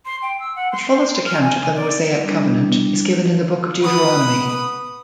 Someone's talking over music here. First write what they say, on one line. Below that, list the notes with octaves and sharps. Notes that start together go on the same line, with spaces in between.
The fullest account of the Mosaic covenant is given in the book of Deuteronomy.
C6
G5
E6
F#5
C6
C5
C6
F6
G#5
G#5
D5
G3 D4 E4
B4 F#5 D#6